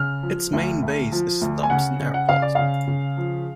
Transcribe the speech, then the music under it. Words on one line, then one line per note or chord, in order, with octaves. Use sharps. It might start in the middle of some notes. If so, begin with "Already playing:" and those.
Its main base is Thompson Airport.
Already playing: C#3 F6
F3
D2
D2
F3
D2
G#5
C#3 F#5
C#3
F#5
C#3 F5
D5
C#3 F5
C#3
F3